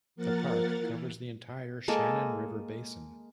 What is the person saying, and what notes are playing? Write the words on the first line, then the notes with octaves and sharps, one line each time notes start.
The park covers the entire Shannon River basin.
F3 A#3 A#4 F#5 A6
E3
G#3 A#3 A4